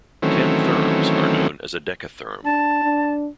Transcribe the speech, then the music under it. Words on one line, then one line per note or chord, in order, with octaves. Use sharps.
Ten therms are known as a decatherm.
D#3 E3 F#3 A3 C4 C#4
D4 A5
D4